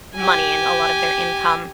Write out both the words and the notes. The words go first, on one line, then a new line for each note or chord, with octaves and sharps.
money and a lot of their income.
G4 G#5